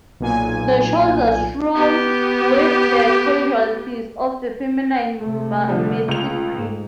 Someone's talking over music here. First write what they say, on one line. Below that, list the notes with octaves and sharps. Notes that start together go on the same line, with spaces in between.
The shores are strewn with the casualties of the feminine mystique.
B1 A#2 G#5
B3 G4
C3 A3
D3 F3 G3
C#2 F7
G#2